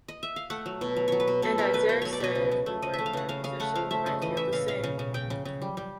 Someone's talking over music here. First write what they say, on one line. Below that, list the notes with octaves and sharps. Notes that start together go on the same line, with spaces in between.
And I daresay if we were in their position we might feel the same!
D#5
E5
F5
A3 F#5
F#3
B2
F#3
F#3 C#5
B4
B2
B2 A4
B2 A#4
A3 B4
B2 C5
F#3 C#5
D5
B2 D#5
C#3
C#3
A3
C#3 D#5
A3 E5
F5
C#3 F#5
C#3 F5
C#3 F5
A3 F#5
F3 F5
A3 E5
C#3 D#5
E3 D#5
C#3 E5
C#3 F5
C#3 F5
C#3
C#3
C#3 G5
C#3
C#3
G3
G3